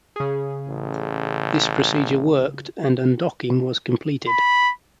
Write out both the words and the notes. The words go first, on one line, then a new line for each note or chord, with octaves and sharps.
This procedure worked and undocking was completed.
C#3 G#4
A1
B5